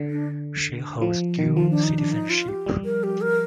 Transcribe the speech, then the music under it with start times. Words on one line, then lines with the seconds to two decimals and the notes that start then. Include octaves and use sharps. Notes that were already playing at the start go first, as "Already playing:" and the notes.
She holds dual citizenship.
Already playing: D3
0.10 D4
1.02 F3
1.39 D#3
1.57 F3 F4
1.71 D4
1.84 D#4
1.98 D4
2.12 D#4
2.30 F4
2.48 G4
2.66 G3
2.85 A#4
3.04 G4
3.21 A#4